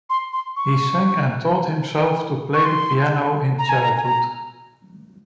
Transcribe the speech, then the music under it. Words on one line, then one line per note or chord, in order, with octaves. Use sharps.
He sang and taught himself to play the piano in childhood.
C6
C6
C#6
C#6
C6
A#5
G#5
A#5
G#5
A#5